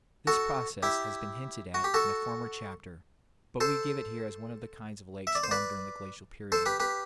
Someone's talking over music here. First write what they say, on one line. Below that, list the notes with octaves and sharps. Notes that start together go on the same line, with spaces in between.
This process has been hinted at in a former chapter, but we give it here as one of the kinds of lakes formed during the glacial period.
F#4 A4
E4 G4
F#4
G4
F#4 A4
A4 C5
E5
D5
C5
B4 D5
A4 C5
G4 B4
G4 B4